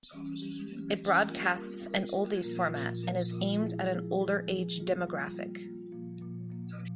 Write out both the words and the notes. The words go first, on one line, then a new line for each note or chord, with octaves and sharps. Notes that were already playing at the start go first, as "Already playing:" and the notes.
It broadcasts an oldies format, and is aimed at an older age demographic.
E3 G3 C#4 G4
E3 G3 C#4 G4
E3 G3 C#4 G4
E3 G3 C#4 G4
G3 A#3 F4 A#4
G3 A#3 F4 A#4
G3 A#3 F4 A#4
G3 A#3 F4 A#4
A#2 F3 A#3 F4 A#4
A#2 F3 A#3 F4 A#4
A#2 F3 A#3 F4 A#4
A#2 F3 A#3 F4 A#4
F3 G#3 E4 G#4
F3 G#3 E4 G#4
F3 G#3 E4 G#4
F3 G#3 E4 G#4
G3 A#3 F4
G3 A#3 F4
G3 A#3 F4
G3 A#3 F4
A#2 F3 A#3
A#2 F3 A#3
A#2 F3 A#3
A#2 F3